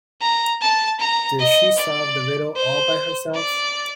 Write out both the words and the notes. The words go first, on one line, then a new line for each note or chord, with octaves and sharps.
Did she solve the riddle all by herself?
A#5
A5
A#5
D#5
D5
C5
D5